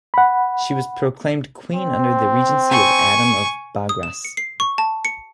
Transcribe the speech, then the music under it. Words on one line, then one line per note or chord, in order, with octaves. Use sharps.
She was proclaimed queen under the regency of Adam of Baghras.
F#5 B5
C4
G#5 C#6
D#6
E7
C#7
C7
C#6
A5
C#7